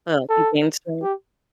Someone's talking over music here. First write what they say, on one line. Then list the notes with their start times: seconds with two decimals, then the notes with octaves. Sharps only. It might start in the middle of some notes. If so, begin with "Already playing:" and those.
Oh, you gained strength?
0.29 A4
1.02 G4